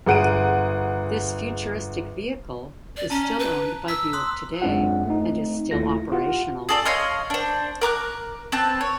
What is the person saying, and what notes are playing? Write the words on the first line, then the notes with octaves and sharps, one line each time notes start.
This futuristic vehicle is still owned by Buick today, and is still operational.
G1 G#4 F#5 D7 D#7
D5
C#4 A5 A#5
B4
E6 B6
C6 D#6 F#6
F#2 G#3 C4 D4 F4 F#5
A3 C4 D#4
D#2 A3 E4 F4 A4 A#6
F4 G4 F#5
G#4 A4 D5
C#5 D#5 F5 C6
D4 C5
A#4 A#5 D6 F#6
C4 B4 A5
C#5